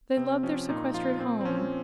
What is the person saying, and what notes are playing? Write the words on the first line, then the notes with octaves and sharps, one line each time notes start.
They loved their sequestered home.
C3 C4
F3 C#4
A#2 D#4
F3 F4
A#2 C4
C4
F3 C#4